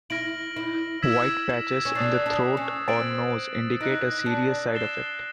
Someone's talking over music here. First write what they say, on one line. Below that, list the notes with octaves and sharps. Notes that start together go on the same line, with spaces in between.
White patches in the throat or nose indicate a serious side effect.
E4 F6 A#6 D7 F#7
E4
E6 G#6 B6 E7
C#4
D4 D#6 F#6 A6 C7
D4
C#4
C4 A6 D7 F#7
D#4 F#6 A#6 D7
D4
A6 C7 E7 G7